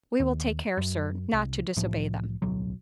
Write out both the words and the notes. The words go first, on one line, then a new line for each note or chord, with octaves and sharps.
"We will take care, Sir, not to disobey them."
D#2
F#2
C2
C2 A2 F3
D1 B1 F#3